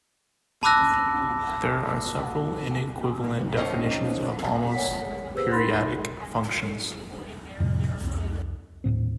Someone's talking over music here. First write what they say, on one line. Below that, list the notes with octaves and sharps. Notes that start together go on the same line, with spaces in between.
There are several inequivalent definitions of almost periodic functions.
A5 B5 D6 E6 F#6 A#6
C3 F3 C#4 D#4 C5 D#5
C#5 F#5 B6
G4 G#4 B4 C5 E6
D#4 A#4 B5 C6 A6 A#6
F2 A2 C3 G3
C2 F2
D#1 B1 A2 C4